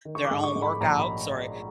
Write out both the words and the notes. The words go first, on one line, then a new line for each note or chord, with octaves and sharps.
their own workouts, or
D#3
C#6
D6
G#2
C#6
G#2
B5
A#1 A#5
B5